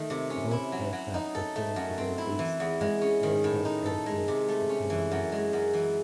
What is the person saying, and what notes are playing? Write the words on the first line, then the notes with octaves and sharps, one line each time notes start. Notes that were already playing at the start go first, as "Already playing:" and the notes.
Both aircraft returned to their base at Yontan Airfield, Okinawa.
Already playing: D#3 A3
C3
C#4
E4
F#3
F#3
D#4
A4
A3
F#2
C4
E4
E3
E2
G#3
C#4
D#3
A2
D#4
A4
G#3
C3
A3
C#4
E3
F#2
G#3
F#2
E3